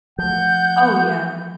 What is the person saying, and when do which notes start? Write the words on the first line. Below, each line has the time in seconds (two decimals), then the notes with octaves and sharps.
Oh, yeah.
0.19 F3 A3 F#5 G6